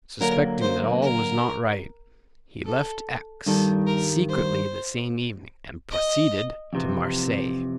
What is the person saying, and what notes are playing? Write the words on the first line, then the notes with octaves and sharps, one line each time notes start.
Suspecting that all was not right, he left Aix secretly the same evening, and proceeded to Marseilles.
D3 F#3 A#3 A#4
C5
A#4
A4
G2 D#3 G3 A4
A#4
C5
D#5
F2 C3 E3